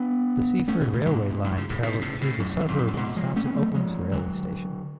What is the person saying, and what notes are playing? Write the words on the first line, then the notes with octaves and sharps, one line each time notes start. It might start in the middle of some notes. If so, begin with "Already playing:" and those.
The Seaford railway line travels through the suburb and stops at Oaklands railway station.
Already playing: B3 D4
A3 C#4
B2 D3
A2 C#3
G#2 B2
F#2 A2
A2 C#3
A2 C#3
G#2 B2
A2 C#3
A2 C#3
F#2 A2
F#2 A2
F2 G#2
F2 G#2
F#2 A2
G#2 B2
F3 G#3
A3 C#4
B3
F#3 A3
F3 G#3
D3 F#3